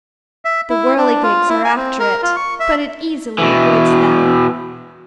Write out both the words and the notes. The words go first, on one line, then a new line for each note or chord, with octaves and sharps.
The whirligigs are after it, but it easily avoids them.
E5
E4
D4
F4
E4
G#5
C4
A#4
F4
C#6
E5
B2 E3